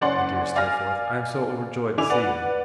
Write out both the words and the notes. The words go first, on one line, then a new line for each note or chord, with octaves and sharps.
My dear Steerforth, I am so overjoyed to see you!'
F#1 C#4 D5 F#5 C6 F#7
D5 F5 G#5 F6 A#6
D3 E4 G#5 D6 F7
B4 D5 F#5